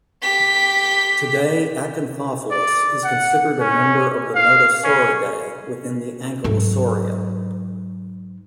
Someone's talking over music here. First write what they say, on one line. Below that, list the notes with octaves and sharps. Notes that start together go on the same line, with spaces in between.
Today "Acanthopholis" is considered a member of the Nodosauridae within the Ankylosauria.
G4 B6
D5
F#5
C#4
F5
C#4
G#2 F#3